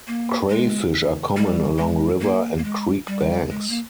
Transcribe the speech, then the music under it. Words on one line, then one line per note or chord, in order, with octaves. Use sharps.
Crayfish are common along river and creek banks.
A#3
G#3
G3
G#3
A#3
A#3
G#3
G3
G#3
A#3